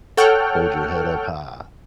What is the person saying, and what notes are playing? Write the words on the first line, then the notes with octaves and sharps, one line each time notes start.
Hold your head up high.
A4 C#5 F#5 G5 F6